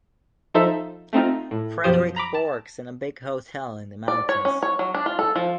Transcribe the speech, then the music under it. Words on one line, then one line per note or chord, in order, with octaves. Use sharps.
Frédéric works in a big hotel in the mountains.
F3 D#4 A4 C5 E5
A3 C4 D#4 F4
A2
F#2 B2 F3 G4 C5 D#6
A#5 B5 D6
A5
D5
C#5
C#4
C#5
F#3
D4
F4
A4
F3